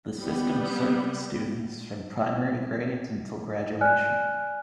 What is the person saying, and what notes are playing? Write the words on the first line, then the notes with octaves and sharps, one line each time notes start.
The system served students from primary grades until graduation.
G3 B3
D5 G#5 F6 F#6